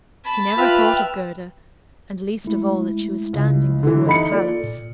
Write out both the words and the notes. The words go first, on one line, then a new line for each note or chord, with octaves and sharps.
He never thought of Gerda, and least of all that she was standing before the palace.
A5 B5
F4 B4 E5 G5 F6
G#3 A3 E4
C#2
D3 E3
D#4 A4 E5 B5 C#7
A#3 F4 A4 D5
A#2